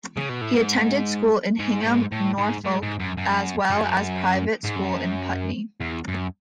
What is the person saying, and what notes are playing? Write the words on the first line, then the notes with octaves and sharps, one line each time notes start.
He attended school in Hingham, Norfolk, as well as a private school in Putney.
C#3
B2
A2
G#2
G#2
A2
G#2
A2
G#2
G#2
G#2
F#2
F#2
F#2
G#2
F#2
E2
F#2